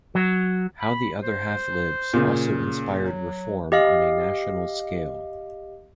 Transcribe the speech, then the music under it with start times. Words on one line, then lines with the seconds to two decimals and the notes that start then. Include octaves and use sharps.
"How the Other Half Lives" also inspired reform on a national scale.
0.15 F#3
0.80 B5
1.22 C5
2.14 A#2 C#3
3.05 F#3
3.72 G4 D#5 F5